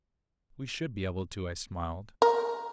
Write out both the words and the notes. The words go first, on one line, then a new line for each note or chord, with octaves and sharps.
"We should be able to," I smiled.
A#4